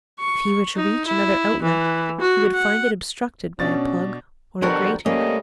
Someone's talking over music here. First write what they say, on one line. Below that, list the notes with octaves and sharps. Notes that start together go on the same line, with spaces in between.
If he were to reach another outlet, he would find it obstructed by a plug or a grating.
C#6
D#4
E4
E3
F#4
F#5
B2 C#4 D4 A6
B2 D3 F3 G3 F#4 A#4
C3 G3 A3 A#3 C#4 D#5